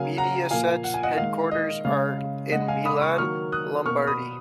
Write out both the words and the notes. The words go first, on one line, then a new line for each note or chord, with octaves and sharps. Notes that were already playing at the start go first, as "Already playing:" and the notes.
Mediaset's headquarters are in Milan, Lombardy.
Already playing: C#3 F#3 A#3 F5 G#5
F#5 A#5
A#2 F3 A#3 F5 G#5
F#5
G#5
D#5 F#5
D#3 G#3 F5
D#5
C#3 G#3 F5
F5
C#3 G#3 D#5 F#5
F5 G#5
B5 D#6
C#6 F6
D#3 F#3 A#3 C#6 F6
D#6 F#6
B2 A#3 C#6 F6
B5 D#6